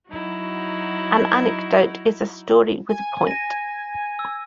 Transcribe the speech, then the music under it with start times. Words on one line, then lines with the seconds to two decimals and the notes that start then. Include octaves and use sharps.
An anecdote is a story with a point.
0.11 F#3 D#4 E4 F#4
2.89 G#5
3.27 A#6 D#7
4.19 E6